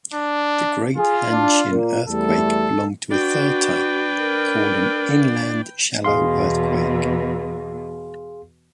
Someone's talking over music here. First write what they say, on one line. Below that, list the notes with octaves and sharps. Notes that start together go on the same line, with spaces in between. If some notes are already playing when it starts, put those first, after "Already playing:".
The Great Hanshin earthquake belonged to a third type, called an "inland shallow earthquake".
D4
F4 G#4
D4
A#2 A#3
E2 G3 A3 A4
D4 F#4 B4 G5
A#4
E2 B2 G#4 F5 C6